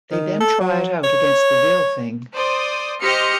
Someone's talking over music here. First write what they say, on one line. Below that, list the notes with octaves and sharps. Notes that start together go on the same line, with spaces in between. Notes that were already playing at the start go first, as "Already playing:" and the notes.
They then try it out against the real thing.
D#3
A4
F#3
C#5
C5 D5 D#6
G4 C5 D#5 F6 C#7